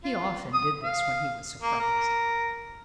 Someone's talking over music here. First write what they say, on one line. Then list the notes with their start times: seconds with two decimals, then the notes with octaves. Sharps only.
He often did this when he was surprised.
0.04 F4
0.54 D#6
0.83 F5
1.62 A#3
1.80 A#4